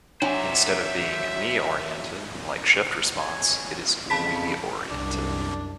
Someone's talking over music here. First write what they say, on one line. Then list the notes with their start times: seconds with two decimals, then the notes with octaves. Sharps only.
Instead of being me-oriented like shift response, it is we-oriented.
0.22 F#3 D4 C5 D5 E5 G5 G#5
3.19 C#5 G#5
4.10 F2 C#3 A5 B5 B6
4.90 C2 F#2 D4